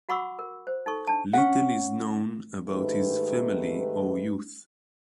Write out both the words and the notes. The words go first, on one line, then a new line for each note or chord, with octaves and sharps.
Little is known about his family or youth.
F#4 F#5 B5 C#6 D6 E6
A#4
C5
D#4 A4 C#6
D4 A5
C#4 F#5
G#2 D#3 A3 G4 B4